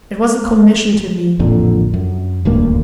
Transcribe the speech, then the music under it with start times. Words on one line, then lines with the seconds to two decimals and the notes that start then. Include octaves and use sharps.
It was a commission to me!
1.39 A1 F2 A#2 D3
1.94 F#2
2.45 D#1 D2 G2 A#3